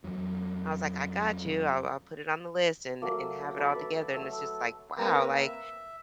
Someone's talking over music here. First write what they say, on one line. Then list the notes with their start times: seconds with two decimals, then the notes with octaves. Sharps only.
I was like, “I got you. I'll I'll put it on the list and and have it all together,” and it's just like, "Wow," like,
0.04 F2 F#3
3.02 F#3 A3 A#3
3.58 A4 E5 B5 D6
3.75 B4
4.14 A3 E6
4.98 A#3 C4 A#4 B4 A#5
5.40 E5